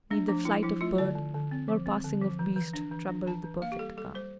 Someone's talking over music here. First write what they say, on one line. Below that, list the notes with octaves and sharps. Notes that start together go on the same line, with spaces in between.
Neither flight of bird nor passing of beast troubled the perfect calm.
A3 D4
F3 D4
F3 E4
F3 E4
A3 F4
D3 D5
D3
D3
C4
F3
C4
D3
F3
E3
E3
D4
E3
D4
E3 A5
E3
A#3 F5
G4
G3 A4
G3 A4
G3 C5